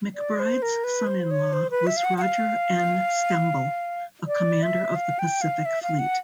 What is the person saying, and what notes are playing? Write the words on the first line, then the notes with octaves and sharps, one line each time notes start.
McBride's son in law was Roger N. Stembel, a commander of the Pacific Fleet.
D5
C5
A#4
B4
C5
C#5
C5
B4
E5
F5
F#5
F#5
F5
D5
E5
F5
G5
F5
E5
F5
F#5